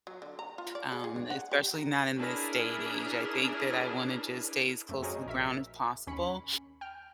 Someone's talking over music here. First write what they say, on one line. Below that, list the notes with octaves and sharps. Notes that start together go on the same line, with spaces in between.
um, especially not in this day and age, I think that I wanna just stay as close to the ground as possible,
F#3
D3
A#5
F4
D5
G#4
G#4
D4
F#5
G4
A#4
C#4 D4 E4 G#4 A#4 B4
F#2 A3
F#4 G#4 A#4 C5 C#5 D#5
A#1 A#4 E5 B6
D#2 C#4 B5 C#7
G5 F6